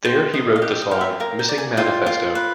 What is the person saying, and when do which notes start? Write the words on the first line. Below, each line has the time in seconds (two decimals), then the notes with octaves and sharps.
There he wrote the song "Missing Manifesto".
0.05 C5 G5
0.34 D#5
0.56 F5
0.62 G4 F#5
0.82 D#5
0.91 G4 F5
1.01 E5
1.20 A#4 F5
1.39 G5
1.49 D5
1.58 G#5
1.77 F4 G5
2.06 F4
2.35 B4